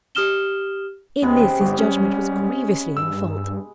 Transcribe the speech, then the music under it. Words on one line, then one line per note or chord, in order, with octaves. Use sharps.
In this his judgment was grievously in fault.
G4 D#6 F6 E7 G7
D#2 C3 G#3 B3 C#4
G1 G3
C#4
G2 E6